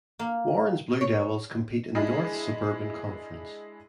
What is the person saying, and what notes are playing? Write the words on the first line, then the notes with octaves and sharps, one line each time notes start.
Warren's Blue Devils compete in the North Suburban Conference.
A#3
C#5
G#3 D4 E4 G#4